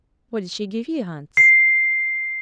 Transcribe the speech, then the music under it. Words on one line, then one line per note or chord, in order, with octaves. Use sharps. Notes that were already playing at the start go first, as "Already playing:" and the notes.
'What did she give you, Hans?'
C7